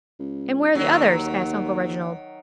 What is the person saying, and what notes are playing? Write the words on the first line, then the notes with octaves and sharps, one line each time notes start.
'And where are the others?' asked Uncle Reginald.
C#2
D#2 D#3 F#3